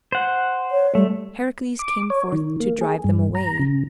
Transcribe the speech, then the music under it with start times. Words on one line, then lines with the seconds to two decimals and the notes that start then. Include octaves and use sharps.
Heracles came forth to drive them away.
0.12 C5 F#5
0.71 C#5
0.95 G3 A3
1.79 D6
2.10 C#5
2.32 D#3
2.60 A#3
2.81 G#4
3.04 G2
3.35 A#5
3.59 C#3